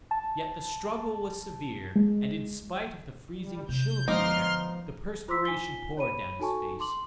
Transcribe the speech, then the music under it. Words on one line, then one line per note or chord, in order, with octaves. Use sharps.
Yet the struggle was severe, and in spite of the freezing chill of the air, the perspiration poured down his face.
A5
G#3
G3
C3 G6
D3 F3 G#3 B3 D#4 C6 D6 F6
F4 C5 C6 D6 E6 B6
D#4 F4 G#5 B6 G7
C#5 B5 D#7
D#4 F#4 A4 G#5 A5 C#6
C6 D6 F#7